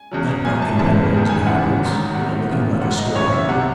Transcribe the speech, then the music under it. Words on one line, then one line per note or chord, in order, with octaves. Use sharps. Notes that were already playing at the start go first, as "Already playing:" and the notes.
'That buck in pantaloons and half-boots--a looking like a squire?'
Already playing: G#5
E2 C#3 F#3
G#1 F#2 C#3 G#5
A5
E1 E2 C#3 E3 A5
F#1 E2 D#3
G#5
E1 D#2 C#3 E3 F#5
A1 G#2 D#3 F#3
E2 C3 D#3 F#3 F#5
D#2 C#3 E3
A1 G#2 F#3 F#5
D#5
D#2 C#3 E3 C#5
E5
C2 C3 F#3 F#5